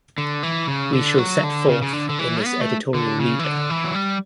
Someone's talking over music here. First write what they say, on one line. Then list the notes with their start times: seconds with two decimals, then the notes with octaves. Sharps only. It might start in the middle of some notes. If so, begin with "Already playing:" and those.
We shall set forth in this editorial leader.
0.18 D3
0.43 E3
0.68 C#3
0.93 D3
1.18 F#3
1.43 D3
1.69 C#3
1.82 C#3
1.93 D3
2.09 D3
2.19 E3
2.44 B3
2.61 A3
2.94 D3
3.19 C#3
3.39 E3
3.44 D3
3.70 E3
3.84 F#3
3.94 G3